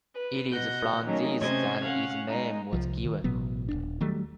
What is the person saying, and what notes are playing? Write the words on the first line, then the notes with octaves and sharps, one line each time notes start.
It is from this that its name was given.
B4
B2 F#5 G6 A#6
D#3 F#3 A3 A#3 C#4 D#4
C3 A3 C#4 C5 D#5 G#6
C#4 F5 F#5
G#3 D#4
C2 F3
D#3
A1 B2 F#3 B3
D#1 G#1 D4
D#3 F#3 G3 A3